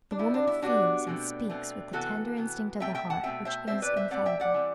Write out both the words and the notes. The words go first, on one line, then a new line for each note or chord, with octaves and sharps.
The woman feels and speaks with the tender instinct of the heart, which is infallible.
D4
B2 G3 B3 E4
D4
E4
B2 G3 B3 D4 F#4
B2 A3 C4
B2 A3 C4
C3 E3 B3 F#4 A4
C3 E3 B3
B2 A3 C4 E5 G5
E5 G5
F#5 A5
B2 A3 C4 E5 G5
C5 E5
B2 A3 C4 C5 E5
B4 D5
C5 E5
B2 A3 C4 D5 F#5
E5 G5
D5 F#5
E3 G3 C4